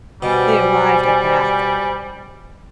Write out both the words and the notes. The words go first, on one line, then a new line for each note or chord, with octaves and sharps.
They arrived at Bath.
B2 G3 C5 D5 G#5